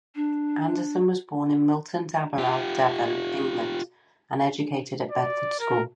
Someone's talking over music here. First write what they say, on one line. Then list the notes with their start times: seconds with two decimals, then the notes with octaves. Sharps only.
Anderson was born in Milton Damerel, Devon, England and educated at Bedford School.
0.15 D4
2.38 F4 G4
5.11 D5
5.60 A#4